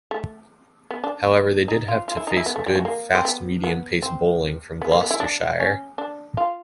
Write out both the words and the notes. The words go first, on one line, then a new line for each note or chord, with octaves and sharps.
However, they did have to face good, fast-medium-pace bowling from Gloucestershire.
A3
B3
D4
D#4
F4
F4
E4
D#4
E4
B3
A3
G3
F#3
A#3
C4
B3
B3
C4
B3
A#3
B3
E4
D4
C#4
D4
F4